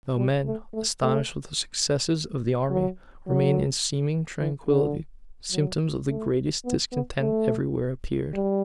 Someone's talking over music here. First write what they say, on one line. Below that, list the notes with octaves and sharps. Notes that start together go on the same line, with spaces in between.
Though men, astonished with the successes of the army, remained in seeming tranquillity, symptoms of the greatest discontent every where appeared.
G3
A3
A3
A3
F#3
F#3
E3
D3
F#3
A3
B3
B3
A3
G3